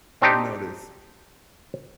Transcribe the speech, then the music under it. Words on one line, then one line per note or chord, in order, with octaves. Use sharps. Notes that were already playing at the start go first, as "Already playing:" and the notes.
I've noticed
C4 D4 D#4 G4